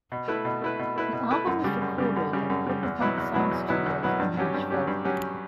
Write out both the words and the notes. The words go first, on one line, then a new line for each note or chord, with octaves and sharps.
The album was recorded at Quadrophonic Sound Studios in Nashville.
B2
A3 E4 B4
B2
A3 E4 B4
B2
A3 E4 B4
B2
A3 E4 B4
F#2
C#3 G3
F#2
C#3 G3
F#2
C#3 G3
F#2
C#3 G3
E2
B2 F#3 B3 E4
E2
B2 F#3 B3 E4
E2
B2 F#3 B3 E4
E2
B2 F#3 B3 E4
G2
F#3 C#4 G4
G2
F#3 C#4 G4
G2
F#3 C#4 G4